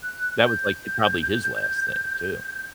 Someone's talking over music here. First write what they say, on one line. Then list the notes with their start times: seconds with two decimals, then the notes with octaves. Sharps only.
That was like e probably his last thing, too.
0.03 F#6
0.44 G6